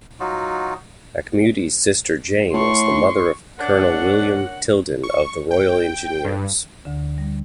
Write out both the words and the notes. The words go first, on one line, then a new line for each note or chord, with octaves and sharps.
Auchmuty's sister Jane was the mother of Colonel William Tylden of the Royal Engineers.
F#3 D#4 F4 F#4
A2 C6 C#6
C#4 D4 A#4 F#5
C#6
G5
G2
D2 D3
G3